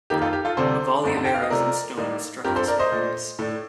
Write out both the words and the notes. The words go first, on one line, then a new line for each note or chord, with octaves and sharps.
A volley of arrows and stones struck the Spaniards.
F2 D#3 A#3 D#4 G4
F4 A4
G4
F4 A4
D2 C3 G3 C4 A4 C5
G2 D3 A3 C4 D#4
A5
G5
F5
D#5
C3 F3 A3 A#4 D5
A2 G3 A#3 D#4
G2 F3 C4 G4 A#4
A4 C5
A#4 D5
C5 D#5
A#2 A3 D4
A2 A3 D4